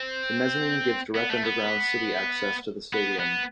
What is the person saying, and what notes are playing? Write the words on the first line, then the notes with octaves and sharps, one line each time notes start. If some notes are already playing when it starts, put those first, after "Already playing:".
The mezzanine gives direct underground city access to the Stadium.
Already playing: C4
B3
A3
B3
B3
B3